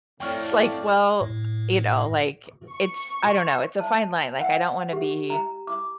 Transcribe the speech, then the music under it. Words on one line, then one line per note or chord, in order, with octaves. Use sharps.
It's like well, you know, like, it's, I don't know, it's a fine line. Like I don't want to be
F2 A2 D5 G5 C#6 F6
A2
C#6
A5
F#5
G4
A#5
D6